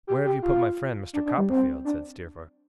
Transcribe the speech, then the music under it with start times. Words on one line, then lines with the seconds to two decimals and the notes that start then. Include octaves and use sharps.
'Where have you put my friend, Mr. Copperfield?' said Steerforth.
0.07 G4
0.25 G4
0.42 F4
1.13 D4
1.26 D4
1.38 G3
1.50 C4
1.85 D4